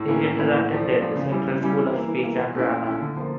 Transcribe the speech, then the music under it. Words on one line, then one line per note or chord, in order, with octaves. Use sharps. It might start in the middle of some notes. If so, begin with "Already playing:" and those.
He later attended the Central School of Speech and Drama.
Already playing: A2
E3 A#3 C#4 E4
A2
E3 A#3 C#4 E4
A2
F3 A3 D4 F4
A2
F3 A3 D4 F4
C#3
G3 C#4 E4
C#3
G3 C#4 E4
E3
A#3 E4
E3
A#3 E4
A#2
A3 C#4 E4
A#2
A3 C#4 E4
D3
F3 A#3